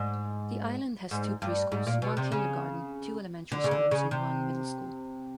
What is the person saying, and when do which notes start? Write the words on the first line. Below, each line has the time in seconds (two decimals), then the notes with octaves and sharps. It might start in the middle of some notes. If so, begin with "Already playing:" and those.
The island has two pre-schools, one kindergarten, two elementary schools and one middle school.
Already playing: G#2
1.11 G#2
1.42 G2
1.72 G#2
1.87 A#2
2.02 B2
2.17 C3
2.32 C#3
3.52 D3
3.64 C#3
3.71 D3
3.91 C#3
4.11 C3